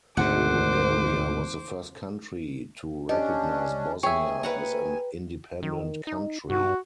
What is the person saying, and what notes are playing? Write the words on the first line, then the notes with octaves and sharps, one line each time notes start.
Bulgaria was the first country to recognize Bosnia as an independent country.
G#1 D2 G#2 B2 C5 F#5 D6
C#4 D4 G4 D#5
D#2 G#4 C#5 E5 G5 G#5
B4 F#5 A#5
D#3
D#4
G2 F#4